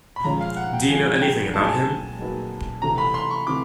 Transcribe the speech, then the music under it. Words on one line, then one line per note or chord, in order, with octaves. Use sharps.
Do you know anything about him?
B5
F3 G#3 C#4 F4 A#5
F5
F#5
G5
F3 G#3 C#4 F4 G#5
G5
F#3 A#3 D#4 G#4 B4 A5
G#5
A5
F#3 A#3 D#4 G#4 B4
C3 E3 A3 C4 A#5
B5
C6
C#6
C3 E3 A3 C4 D6